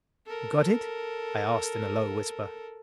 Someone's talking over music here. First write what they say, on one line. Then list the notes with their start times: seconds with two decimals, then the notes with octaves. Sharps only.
"You got it?" I asked in a low whisper.
0.26 A4 A#4